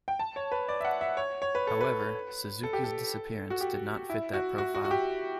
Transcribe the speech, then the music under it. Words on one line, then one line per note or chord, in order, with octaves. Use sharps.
However, Suzuki's disappearance did not fit that profile.
G5
A5
C#5
B4
D5
E5
F#5
E5
C#5
C#5
B4
A4
B4
A4
G4
A4
F#4
G4
E4
F#4
F#4
F#4
F#4
G4